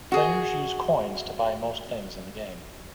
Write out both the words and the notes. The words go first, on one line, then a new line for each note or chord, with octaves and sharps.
Players use "Coins" to buy most things in the game.
F#4 G#4